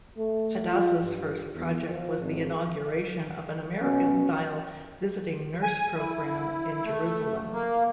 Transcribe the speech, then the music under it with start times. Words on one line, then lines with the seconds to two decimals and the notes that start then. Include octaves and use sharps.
Hadassah's first project was the inauguration of an American-style visiting nurse program in Jerusalem.
0.17 A3
0.64 F4
1.03 G2
1.55 E2
1.87 F3
2.19 G#1
3.82 B2 C#4
5.63 G#5
5.97 E4
6.85 A3
7.53 A#3